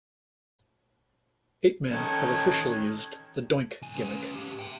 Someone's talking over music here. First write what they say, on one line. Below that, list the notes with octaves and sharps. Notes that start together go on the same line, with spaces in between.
Eight men have officially used the Doink gimmick.
D#3 C#4 A4 G#6
C2 G#5
C#4 B4
G#2 G4
E5 G5